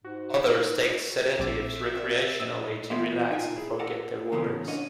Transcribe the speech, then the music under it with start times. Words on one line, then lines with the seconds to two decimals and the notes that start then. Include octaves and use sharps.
Others take sedatives recreationally to relax and forget their worries.
0.04 G#2 F#4
1.39 A#1 C4 E5 D6
1.95 C4 A#4 D5
2.40 A#1 D#5 E6 A6
2.90 E2 B3 F4 E5
3.31 D#4 F4 G5 G#5
3.57 E4 G#4
3.79 A4 A#4 D5 F#5
4.32 A2 C#3 E3 B3 C#4
4.68 C#4 D4 F#4 D#5